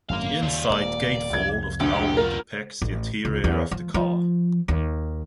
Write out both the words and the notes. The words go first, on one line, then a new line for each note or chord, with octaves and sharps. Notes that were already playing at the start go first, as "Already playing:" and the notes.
The inside gatefold of the album depicts the interior of the car.
G#1 F#2 D3 A#3 F5
D#2 G3 F4
D#1 F2 A#3 D5
C2 F2 G#6
D2 G4
B3 F4 A#4
A1
C#2
E2
F3
F3
D#2